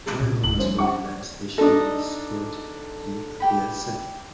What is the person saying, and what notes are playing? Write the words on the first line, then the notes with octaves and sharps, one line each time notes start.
While Homer slowly learns the show's plot, he appears sad.
A#2
D1 F#7
F3 G3 C#4 C5
F#5 C#6
D4 D#4 A4 D#5
G4 G5 B5